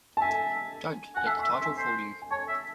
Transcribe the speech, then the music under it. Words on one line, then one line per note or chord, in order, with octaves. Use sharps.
Don't let the title fool you.
A5
E5 G#5
F#5 G#5
E5 A5
E5 C#6
C6
E5
G#5
C5
G#5
C#5 A5
E5